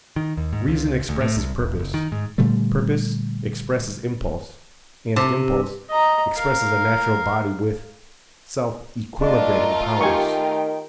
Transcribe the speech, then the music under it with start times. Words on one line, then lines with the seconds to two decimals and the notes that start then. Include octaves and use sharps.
Reason expresses purpose, purpose expresses impulse, and impulse expresses a natural body with self-equilibrating powers.
0.16 D#3
0.37 D#2
0.53 G#2
0.68 C#2
1.09 D2
1.21 A2
1.36 C2
1.60 D#1
1.79 F#1
1.94 D#3
2.12 G#2
2.38 A#2 D3 G3 A3
5.16 C3
5.89 D#5 A#5
6.36 A#4 F5
9.21 A3 D4 F4 A#4 D#5
10.01 D#3 G4 G5 G#5 C#6